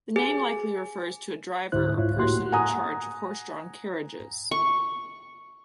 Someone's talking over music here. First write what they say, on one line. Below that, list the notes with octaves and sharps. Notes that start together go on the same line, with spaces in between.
The name likely refers to a driver or person in charge of horse-drawn carriages.
G#4
C#2 G#2 D3 E4 C5 F#6
G#2 E4 F4 C#5
A2 A#3 F#4 G4 C6 F#6
F#5 G#5 A#5 D#6
C#6